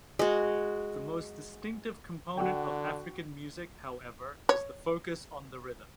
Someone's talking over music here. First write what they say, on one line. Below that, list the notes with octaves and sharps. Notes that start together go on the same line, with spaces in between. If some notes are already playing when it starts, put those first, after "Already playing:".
The most distinctive component of African music, however, is the focus on the rhythm.
G#3 F#4
D3 F#4 F#5 G5
C#5